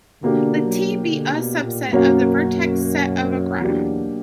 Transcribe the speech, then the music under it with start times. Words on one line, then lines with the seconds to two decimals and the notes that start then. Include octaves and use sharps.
Let "T" be a subset of the vertex set of a graph.
0.22 B2 D3 A#3 D4 G4
0.65 F#3
1.07 D3
1.35 B2
1.63 A#2
1.92 F#2 B2 A#3 C#4 F#4
3.60 E2 B2 F#3 A#3 D4 G4